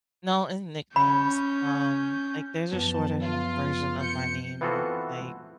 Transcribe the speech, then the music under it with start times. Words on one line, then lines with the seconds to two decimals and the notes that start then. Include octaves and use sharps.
No. And nicknames, um, like, there's a shortened version of my name. Like
0.96 C#4 B5 G6
2.72 F#2 F3 B3 A5
3.21 F4
4.02 G6 C#7
4.61 E3 B3 C4 F4 F#4 A4